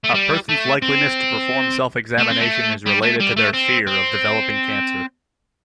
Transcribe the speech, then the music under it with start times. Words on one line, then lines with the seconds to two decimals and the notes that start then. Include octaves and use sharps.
A person's likeliness to perform self-examination is related to their fear of developing cancer.
0.04 A3
0.14 G3
0.49 A3
0.82 C4
2.18 A3
2.29 C4
2.40 A3
2.86 G3
3.02 A3
3.20 G3
3.37 A3
3.54 C4
3.87 C4